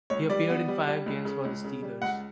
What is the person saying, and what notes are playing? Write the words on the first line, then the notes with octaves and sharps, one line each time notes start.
He appeared in five games for the Steelers.
C#2 C#5
G3 D5
B3
G3
G3
C#2
C#3
C#2
C#3
G3
C#2 F#5